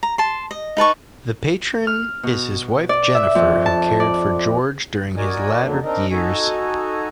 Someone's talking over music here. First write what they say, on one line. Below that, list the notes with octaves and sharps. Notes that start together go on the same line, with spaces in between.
The Patron is his wife Jennifer, who cared for George during his latter years.
A#5
A5 C6
D#5
D#4 B4 A5 C#6
F6
B2
D5
E5
F2
A5
D5
F#4 A#4 D5 D#5 G#5
F2 D3 F#3 A#3 D4
C4 D4 D#4 A#4 D#5
D#4 F#4 A4 D#5 G#5